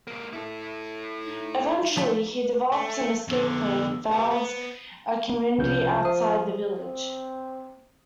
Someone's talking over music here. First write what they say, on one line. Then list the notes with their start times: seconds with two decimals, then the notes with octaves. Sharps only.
Eventually, he develops an escape plan and founds a community outside the village.
0.07 G#2 A#3
0.33 E4 A4
1.25 D#4
1.97 F3 A3 A5 B5
2.72 A3
3.28 F2 D3 B3
4.13 B3 G4 A#4
4.31 B3 C5
5.58 C2 C#3 F3 G6
6.05 C5 D#6
6.79 C4